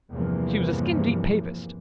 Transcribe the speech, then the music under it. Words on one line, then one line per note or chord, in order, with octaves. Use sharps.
She was a skin-deep Papist.
E2 G2 C3 E3 F3 A#3